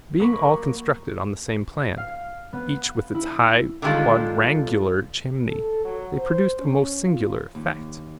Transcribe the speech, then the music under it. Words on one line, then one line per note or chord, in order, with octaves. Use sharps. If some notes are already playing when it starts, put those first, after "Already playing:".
Being all constructed on the same plan, each with its high quadrangular chimney, they produced a most singular effect.
F#3 A#3 B5 C#6
F5
B3
E4
D3 D#3 G3 G#3 F4 A4
A4
F#3
C5
C#4
F4
D#2